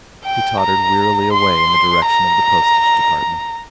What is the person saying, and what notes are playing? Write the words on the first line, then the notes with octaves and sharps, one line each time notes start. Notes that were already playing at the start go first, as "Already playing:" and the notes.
He tottered wearily away in the direction of the Postage Department.
G5
A#5
C6
A#5